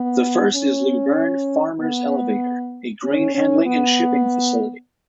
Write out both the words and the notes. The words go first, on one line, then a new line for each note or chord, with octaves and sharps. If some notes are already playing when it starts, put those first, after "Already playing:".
The first is Luverne Farmers Elevator, a grain handling and shipping facility.
Already playing: B3
C#4
B3
C#4
C#4
B3